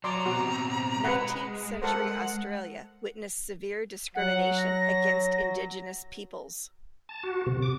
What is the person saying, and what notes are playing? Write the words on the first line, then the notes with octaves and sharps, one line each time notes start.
Nineteenth-century Australia witnessed severe discrimination against indigenous peoples.
F#3 D5 A#5 C6 D6
B2 C4 F#4
G#3 B4 F#5
A4 A#4 C5 F#5
F#3 F#5
A#6
A5
F#4
C3
D6